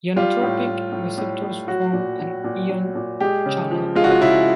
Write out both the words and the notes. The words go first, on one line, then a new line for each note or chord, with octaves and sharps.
Ionotropic receptors form an ion channel pore.
G3 F4
A2
A2
A2
A2
A2
F#3 F#4
A#2
F#3
A#2
F#3
A#2
G#3 G4
C#3
F3
G#3 F4
F#4
F4
C#3 E4